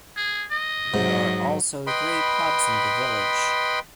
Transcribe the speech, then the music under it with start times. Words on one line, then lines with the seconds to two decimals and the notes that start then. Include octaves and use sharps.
There are also three pubs in the village.
0.17 G#4
0.51 D#5
0.94 G#2 F#3
1.87 B4 D#5 G5 B5 C6